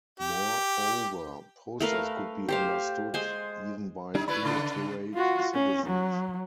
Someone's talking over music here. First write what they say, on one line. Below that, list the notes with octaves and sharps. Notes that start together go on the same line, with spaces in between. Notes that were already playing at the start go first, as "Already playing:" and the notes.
Moreover, posters could be understood even by illiterate citizens.
G4
A3 A#4 B4 F5
G4 C5 F5
G#3 C5 G#5
G3 D4 D#4
A3 E4 B4 D5 B5
C#3 A3
F4 F#4
C#4
F#3